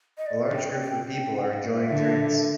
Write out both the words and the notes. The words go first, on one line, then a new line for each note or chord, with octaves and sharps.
A large group of people are enjoying drinks.
D#5
D5
G5
G5
F#5
F5
E5
D3